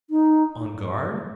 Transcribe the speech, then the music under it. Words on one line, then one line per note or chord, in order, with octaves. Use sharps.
"On guard?"
D#4